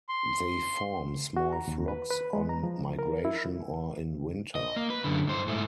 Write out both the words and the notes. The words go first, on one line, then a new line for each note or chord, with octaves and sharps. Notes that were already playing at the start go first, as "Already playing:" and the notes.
They form small flocks on migration or in winter.
C6
F#4
A#5
D#2
B4
B4
G#3
A#5
F3
A#4
E4
D#5
A#3
B4
F#2 D3
G2 C5
G#2 A3